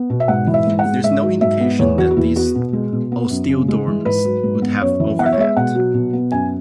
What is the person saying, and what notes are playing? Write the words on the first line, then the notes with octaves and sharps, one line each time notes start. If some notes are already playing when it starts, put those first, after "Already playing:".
There is no indication that these osteoderms would have overlapped.
Already playing: B3
B2
E5
G#2 F#5
E3
E5
G#2
F#5
G#3
G#2 E5
F#3
G#2 E5
B3
E2 C#5
E3 F#4
F#4
E2 E4
B3 F#4
B2
G#3
B2
B3
F#2
C#3
G#3
E3
G#2 B4
F#3
G#2
B3
F#2 C#5
E3
B3 F#5
E5
C#5
G#3 E5
B2 F#5
F#3
B2
B3
F#2 G#5